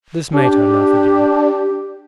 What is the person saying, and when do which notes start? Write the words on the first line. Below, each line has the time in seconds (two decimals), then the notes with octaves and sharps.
This made her laugh again.
0.34 D4 G4